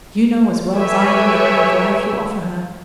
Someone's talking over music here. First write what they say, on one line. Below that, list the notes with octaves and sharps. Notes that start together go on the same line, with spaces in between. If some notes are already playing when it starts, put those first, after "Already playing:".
You know as well as I do the kind of life you offer her.
G4 A4 B4 C#5 E5 G#5